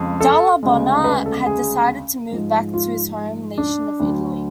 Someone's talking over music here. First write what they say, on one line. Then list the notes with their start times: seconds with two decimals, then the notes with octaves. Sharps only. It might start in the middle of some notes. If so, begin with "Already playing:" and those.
Dalla Bona had decided to move back to his home nation of Italy.
Already playing: F2 C#3 G#3
0.21 A4
0.63 D2 C#3 G#3
1.04 B4
1.26 A4
1.46 G#4
2.31 G#2 F3 G#3
2.74 F4
3.58 D4
4.00 D2 D3 F#3